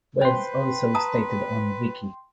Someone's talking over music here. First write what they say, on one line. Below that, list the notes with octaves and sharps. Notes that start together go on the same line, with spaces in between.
Wells also stated on Vicki!
B4 C5 G5 C6
A5 A#5 D#6